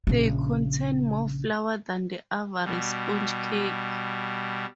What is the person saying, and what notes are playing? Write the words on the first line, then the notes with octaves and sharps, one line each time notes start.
They contain more flour than the average sponge cake.
A#1 C#3
B2 G3